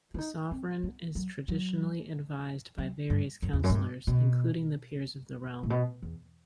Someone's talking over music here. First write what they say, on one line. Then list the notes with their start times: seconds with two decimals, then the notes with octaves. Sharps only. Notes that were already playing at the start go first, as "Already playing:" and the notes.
The Sovereign is traditionally advised by various counsellors, including the peers of the realm.
0.14 E4
0.18 D#4
0.51 C4
0.83 B3
1.15 F#3
1.48 F#3
2.78 F#3
3.10 G2
3.42 F#2
3.53 E2
3.64 F#2
3.70 A2
3.75 G2
4.07 B2
5.63 A2
5.70 B2
6.02 E2